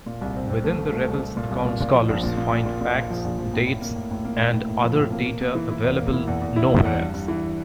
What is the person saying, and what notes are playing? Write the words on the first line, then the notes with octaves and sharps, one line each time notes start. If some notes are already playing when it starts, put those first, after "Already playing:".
Within the revels accounts scholars find facts, dates, and other data available nowhere else.
A#2
C2
C4
C4
A3
A3
A3
C2
A3
A#2
C2
A#2
A#2
F3
A#1
A#2
A#2
A#2
A#2
A#2
A#2
F3
A#1
F3
A2
A2
A#3
A2
A2
A#3
A2
A2
A2
F3
A2
A#3
A#3
A#3
E3
E4
E2
A#3
E4
E2
E2
E4
E2
E2
G2
G2
E3